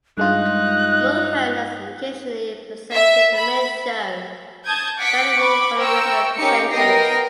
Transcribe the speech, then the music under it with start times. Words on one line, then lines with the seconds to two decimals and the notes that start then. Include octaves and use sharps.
Mulhern has occasionally presented the main show, standing in for the regular presenters.
0.18 G2 G#3 D#4 F4 F#6
2.93 E5
3.35 B5
4.65 A5 D#6 G6 G#6
4.98 F#5 D6 B6 C#7 D7
5.38 B5 C#6 D6
5.78 A#4 C5 G5 C#6 E6
6.37 C#4 D#4 G4 A#4 C#7
6.72 B3 A#4 D#5 G5 A#6 C7